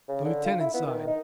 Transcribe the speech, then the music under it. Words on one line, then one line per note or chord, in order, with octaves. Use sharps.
The Lieutenant sighed.
C#3
D3
F4
E4
B3
D#3
D#4